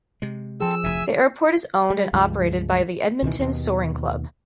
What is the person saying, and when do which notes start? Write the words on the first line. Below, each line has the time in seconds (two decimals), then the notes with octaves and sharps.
The airport is owned and operated by the Edmonton Soaring Club.
0.22 C3 G#3
0.61 F3 C4 G#4 A4 E6
0.84 F1 D2 E5 G#5
1.90 G3
2.13 C#2 G2 F3 G#3
3.23 C#2 B2 D#3 E3
3.39 D#2 B2